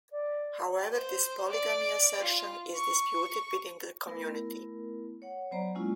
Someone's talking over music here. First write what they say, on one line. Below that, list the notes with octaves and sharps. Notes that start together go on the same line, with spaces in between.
However this polygamy assertion is disputed within the community.
D5
C5
D5
F4
C#6
A3 B3 E4 A#4
C#5 F#5
F#3 B3 C5 D5 A#5
G#3 A#3 C#4 E4 F4